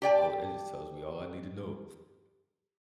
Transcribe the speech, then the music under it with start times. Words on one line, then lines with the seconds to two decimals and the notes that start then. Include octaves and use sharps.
Oh, that just tells me all I need to know.
0.02 G4 D5 G5 A5